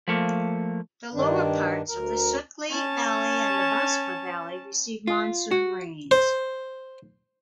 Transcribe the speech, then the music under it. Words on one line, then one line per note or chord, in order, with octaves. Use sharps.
The lower parts of the Sutlej Valley and the Baspa Valley receive monsoon rains.
F3 A3 A#3
G2 D#3 D4
D2 A#4
C#4 A5
F4
F#4
C5